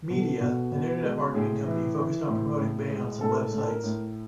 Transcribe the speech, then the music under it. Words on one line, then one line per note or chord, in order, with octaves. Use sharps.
Media, an Internet marketing company focused on promoting bands and Web sites.
B2
A4
B2
B2
G#3
A2 G#4
E3
E3
A2
A2
G#3
A2 A4
A#4
A4
A2
A4
A#4
A2